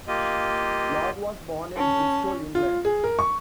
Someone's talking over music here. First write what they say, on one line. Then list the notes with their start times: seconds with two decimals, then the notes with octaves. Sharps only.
Lord was born in Bristol, England.
0.08 A#3 F4 G4 D#5
1.77 C#4 A5
2.55 F4
2.85 G#4
3.04 A#4
3.19 C#6